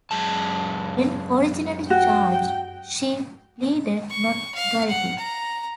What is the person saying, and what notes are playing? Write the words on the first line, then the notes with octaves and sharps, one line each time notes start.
When originally charged, she pleaded not guilty.
F#2 G#3 A5
F#4 G5
C#6
F5
F#5
A#5